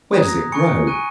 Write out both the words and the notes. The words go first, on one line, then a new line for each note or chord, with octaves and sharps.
Where does it grow?
A#5 D#6 F#6 G#6
A#6
A#6
G#5 C#6 F#6 C#7
G#5 C#6 F#6 D#7